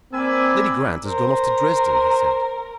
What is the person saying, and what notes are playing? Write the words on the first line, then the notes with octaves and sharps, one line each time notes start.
"Lady Grant has gone off to Dresden," he said.
A#3 C4 A#4 D5 G#5 B5 E6
A#4 C5